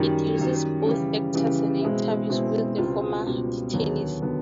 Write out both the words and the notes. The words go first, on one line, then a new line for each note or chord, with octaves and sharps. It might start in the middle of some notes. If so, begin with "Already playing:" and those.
It uses both actors and interviews with the former detainees.
Already playing: F#2 D#3 G3
F#2 D#3 G3
C#3 E3 G3
C#3 E3 G3
B2 G#3 C4 E4
B2 G#3 C4 E4
C#2 B2 G3 C4 F4
C#2 B2 G3 C4 F4
D#2 D3 F#3 B3
D3 F#3 B3